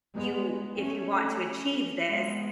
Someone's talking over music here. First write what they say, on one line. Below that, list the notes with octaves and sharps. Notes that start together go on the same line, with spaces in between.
you if you want to achieve this,
G#3 B3
A3 C#4
G#3 B3